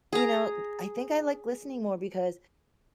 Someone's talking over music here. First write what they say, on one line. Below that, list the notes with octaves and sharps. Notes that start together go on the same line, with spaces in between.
you know, I think I like listening more because
G#4 A#5